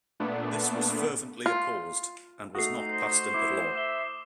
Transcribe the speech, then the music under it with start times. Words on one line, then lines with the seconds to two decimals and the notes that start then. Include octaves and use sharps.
This was fervently opposed, and was not passed into law.
0.20 A#2 A3 B3 D4
1.46 F4
2.55 A3 D#4 F#4 D#6 C7
2.91 C5
3.34 E4 D6
3.75 E5 E7 G7